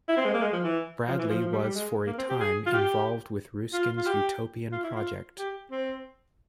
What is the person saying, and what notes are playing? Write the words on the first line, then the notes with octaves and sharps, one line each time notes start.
Bradley was for a time involved with Ruskin's utopian project.
E4
C4
G#3
A#3
G#3
F3
E3
F3
E3
F3
F3
G3
G3
G#3
A#3
C4
G4
G#4
F4
G4
F4
F4
G4
F4
E4
F4
G4
C4